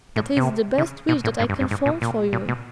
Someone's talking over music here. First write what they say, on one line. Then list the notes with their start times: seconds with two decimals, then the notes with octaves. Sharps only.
That is the best wish that I can form for you.
0.16 A2
0.37 C3
0.78 C#3
1.09 B2
1.24 A2
1.40 G#2
1.49 G2
1.60 G2
1.71 G#2
1.86 A#2
2.02 A#2
2.33 A#2
2.49 B2